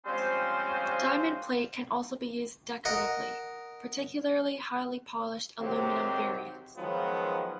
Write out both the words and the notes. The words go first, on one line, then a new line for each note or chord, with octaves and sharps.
Diamond plate can also be used decoratively, particularly highly polished aluminum variants.
F3 G3 G#3 C4 C#4 C5
A#4 D#5 F#5
G#2 C3 D#3 F#3 C4 G4
D#3 F3 F#3 G#3 B3 F4